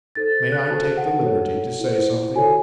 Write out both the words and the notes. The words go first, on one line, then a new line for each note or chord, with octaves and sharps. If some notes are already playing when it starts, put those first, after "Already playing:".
'May I take the liberty to say something?'
D#4 A4 C5 A6
F#6
F#4 A4 C5 A5
F#5
F#4 A4 C#5
E4 C5
F#4 A4 C#5 G#5